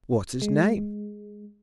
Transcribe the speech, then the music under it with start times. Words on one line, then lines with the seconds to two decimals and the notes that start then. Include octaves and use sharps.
"What's his name!"
0.42 G#3